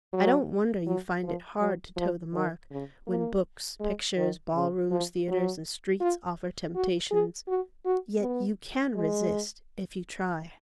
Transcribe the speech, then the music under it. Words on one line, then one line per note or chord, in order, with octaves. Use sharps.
I don't wonder you find it "hard to toe the mark", when books, pictures, ball-rooms, theatres, and streets offer temptations; yet you can resist, if you try.
F#3
F#3
F3
F#3
F3
D#3
C#3
A#3
G#3
D#3
C#3
F3
F#3
F4
F#4
G#4
F#4
F#4
B3
G#3